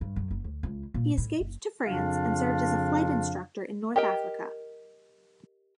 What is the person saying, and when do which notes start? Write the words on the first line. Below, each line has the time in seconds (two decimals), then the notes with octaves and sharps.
He escaped to France and served as a flight instructor in North Africa.
0.01 G2
0.16 F#2
0.31 F#1
0.44 D2
0.63 C#2
0.94 A#2
1.18 A2
1.40 F#1
1.85 F2 C#3 F3 D4 F4 F5
3.96 G4 A#4 D#5 G5